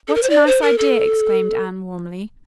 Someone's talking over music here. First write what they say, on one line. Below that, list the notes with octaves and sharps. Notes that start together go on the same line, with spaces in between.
"What a nice idea!" exclaimed Anne warmly.
A4
A#4
C5
D5
C5
A#4
A4